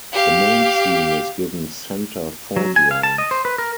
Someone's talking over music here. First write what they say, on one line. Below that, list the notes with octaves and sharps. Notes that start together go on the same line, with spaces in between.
The main scene is given center foreground.
G4 F5
F#3
G#5
F5
A5
D#5
C5
B4
A#4